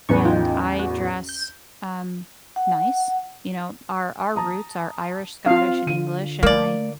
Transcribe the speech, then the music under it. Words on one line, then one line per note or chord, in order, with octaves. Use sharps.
and I dress, um, nice. You know, our our roots are Irish, Scottish, and English, and I
A1 E2 B4 C#6
D#4 F4 G5
F#4
G6
F#5
A5 A#5 D#6
C4 F4 F5
D3 D#7
A3 A#3 D5